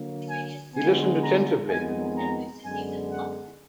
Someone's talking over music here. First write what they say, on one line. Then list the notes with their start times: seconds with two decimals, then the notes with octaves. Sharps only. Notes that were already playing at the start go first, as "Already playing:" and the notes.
He listened attentively.
Already playing: D3 F#3 A#3
0.27 G#5
0.74 D3 G#3 B3 G#5
1.21 A#5
1.69 F2 D#3 G#3 B3 G#5
2.17 A#5
2.64 F#2 D3 G#3 B3 G#5
3.11 F#5